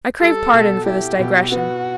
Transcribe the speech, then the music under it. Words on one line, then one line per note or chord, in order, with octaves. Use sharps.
I crave pardon for this digression.
G3 A4
B2
E4 G4
B2
B3 F#4